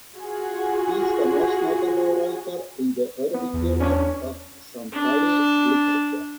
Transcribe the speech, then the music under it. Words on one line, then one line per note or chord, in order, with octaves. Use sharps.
He is the most notable writer in the early period of Santhali literature.
F4 F#4 G#4
B3
E2
C#4 D4 C#5
D4 A5